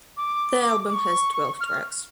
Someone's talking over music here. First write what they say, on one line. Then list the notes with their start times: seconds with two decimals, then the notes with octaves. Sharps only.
The album has twelve tracks.
0.17 D6
0.89 D6
0.94 C#6
1.61 F6